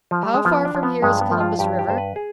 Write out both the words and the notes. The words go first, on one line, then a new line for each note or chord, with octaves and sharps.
How far from here is Columbus River?
F3
G3
G#3
F3 B3
D4
F3
B3
G2 G#3
B3
F3
F4
G2 G4
G4
G2 C5
B4
G#4